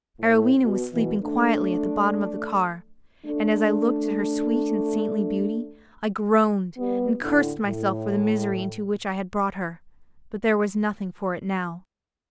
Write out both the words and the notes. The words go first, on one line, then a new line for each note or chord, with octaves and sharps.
Arowhena was sleeping quietly at the bottom of the car, and as I looked at her sweet and saintly beauty, I groaned, and cursed myself for the misery into which I had brought her; but there was nothing for it now.
A2
B2
B2 E3
A3 D4
A3 D4
G3 B3
A2 D3
A2